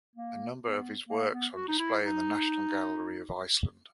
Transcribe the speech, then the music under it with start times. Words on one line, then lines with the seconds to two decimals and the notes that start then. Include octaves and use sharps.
A number of his works are on display in the National Gallery of Iceland.
0.16 A#3
0.63 B3
1.09 A#3
1.31 B3
1.55 F#4
1.68 D#4
1.79 E4
2.02 D#4